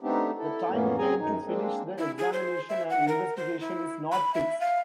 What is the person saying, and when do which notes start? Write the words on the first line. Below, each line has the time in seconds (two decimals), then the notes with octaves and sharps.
The time frame to finish the examination and investigation is not fixed.
0.01 A3 B3 C4 D4 D#4 G4
0.38 E4 A4
0.69 F2 A2 E3 A#3 B3 C#4
0.98 C#3 C4 G#4 G#5 A#5
1.18 F#2 D#4
1.45 G#3 A#3 C4 D4
1.98 E4
2.18 G#4
2.33 C5
2.69 E5
2.90 F#5
3.08 A#4
3.37 C5
3.61 E4
4.12 B5
4.34 E5
4.60 F5